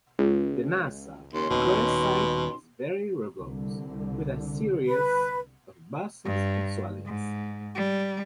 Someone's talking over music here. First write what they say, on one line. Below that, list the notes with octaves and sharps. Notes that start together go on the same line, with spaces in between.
The nasal crest side is very rugose with a series of bosses and swellings.
C#2
D#2 C#4 D#4 C6
D#1 D#2 B2
C2 D3
B4
G2
G#2
G3